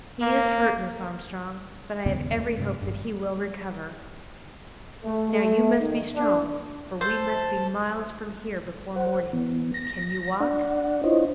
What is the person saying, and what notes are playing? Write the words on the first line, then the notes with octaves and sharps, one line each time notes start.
"He is hurt, Miss Armstrong, but I have every hope that he will recover. Now you must be strong, for we must be miles from here before morning. Can you walk?"
A#3
D#2 G#2 C#3 B3
D#2 A3 A#3
G2 C3
G#1 G2
A3
A3
D#3
D4
A4 C5 G6
C5 F#5
E3 B3
A#6
D4 D5 F#5
D4 E4 F4 C5 C#5 D#5